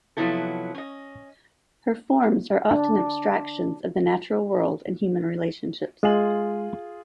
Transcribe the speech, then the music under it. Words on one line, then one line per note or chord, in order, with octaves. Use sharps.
Her forms are often abstractions of the natural world and human relationships.
C3 F3 F#3 B3 E4 A4
C#4 D#5
D4
G#3 F4 G#4 F#7